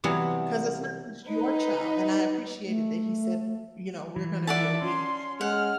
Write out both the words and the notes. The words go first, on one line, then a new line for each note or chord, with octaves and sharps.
'cause it's not just your child, and I appreciated that he said, you know, "We're gonna be a we,"
C3 E3 F#3 G3 B3
D#4 B4
A3
E3
D5 E5 F#5 A5
C#4 C6
G#3 F#5 F6